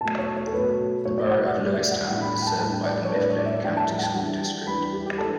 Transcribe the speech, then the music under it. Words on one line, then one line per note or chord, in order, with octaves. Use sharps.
The Borough of Lewistown is served by the Mifflin County School District.
B2 F#3 A3 A5
C#5
C#5
A4
B2 F#3 A3 B4
B2 F#3 A3 C#5
D5
F#5
E5
B2 F#3 A3 D5
E5
F#5
A2 G3 D4 G5
B5
B5
G5
A5
A2 G3 D4 A5
G5
D5
C#5
A2 G3 D4 B4
D5
C#5
D5
E5
A2 G3 D4 G5
A5
E5
F#5
G5
E3 G3 D4
E3 G3 D4 B5
G4
G4
E3 G3 D4 A4